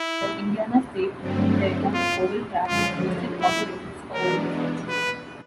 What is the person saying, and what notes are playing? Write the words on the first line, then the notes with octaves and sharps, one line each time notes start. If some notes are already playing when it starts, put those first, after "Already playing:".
The Indiana State Fairgrounds oval track has hosted auto races for over a century.
Already playing: E4
G2 D3 F#3 A3 C4
F4
F#2 D3 F3 G#3 C#4 F4
E4
E3 G#3 B3 D4 A#4
B4